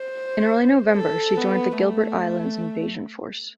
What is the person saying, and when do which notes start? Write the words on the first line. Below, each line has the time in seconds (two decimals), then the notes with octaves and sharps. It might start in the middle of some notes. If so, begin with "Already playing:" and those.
In early November, she joined the Gilbert Islands invasion force.
Already playing: C5
0.97 A4
1.37 B3
1.79 A3